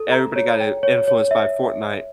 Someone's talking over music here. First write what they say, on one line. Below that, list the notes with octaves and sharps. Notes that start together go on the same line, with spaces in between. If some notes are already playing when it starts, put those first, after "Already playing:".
everybody got, in influenced by Fortnite
Already playing: A4
A#5
C#5
G5
C#5
C#5
E5